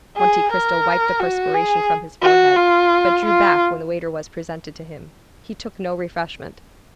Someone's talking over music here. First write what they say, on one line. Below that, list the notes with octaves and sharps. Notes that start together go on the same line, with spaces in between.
Monte Cristo wiped the perspiration from his forehead, but drew back when the waiter was presented to him; he took no refreshment.
G#4
A#4
F#4
G#4
F#4
F4
F4